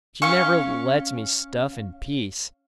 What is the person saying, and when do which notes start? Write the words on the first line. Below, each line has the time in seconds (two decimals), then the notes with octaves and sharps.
She never lets me stuff in peace.
0.22 C#4 F5 C#6